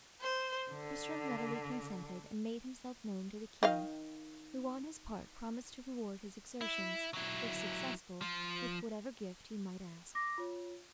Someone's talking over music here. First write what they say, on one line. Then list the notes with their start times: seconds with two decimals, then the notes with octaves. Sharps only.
Tristram readily consented, and made himself known to the king, who on his part promised to reward his exertions, if successful, with whatever gift he might ask.
0.21 C5
0.71 D3
3.63 D#3 D#5 F5
6.61 E4
7.14 F#3 E4
8.22 F3
10.15 D6 A#6
10.38 F4 C#5